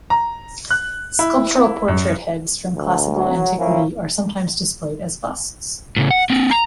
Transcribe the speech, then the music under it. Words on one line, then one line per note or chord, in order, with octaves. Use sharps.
Sculptural portrait heads from classical antiquity are sometimes displayed as busts.
A#5
F#6
E4
F#2
D2
F#3
A#2 F3 C#4 E4
A2 C#3
F#5
A#3 C4
A#5